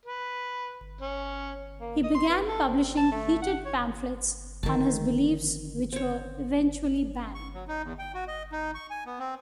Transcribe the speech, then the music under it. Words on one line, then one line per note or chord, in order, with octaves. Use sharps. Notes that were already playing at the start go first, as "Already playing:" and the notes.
He began publishing heated pamphlets on his beliefs which were eventually banned.
B4
C#4
A#3
D#5
C6
B4
A4
C4
A5
A3
F#5
C#5
D3 D#3 F3 A5
C4 C#5
C#6
F#3
D#4
E2
G5
F#4
D#5
D#4
C#6
G#5
B3
C4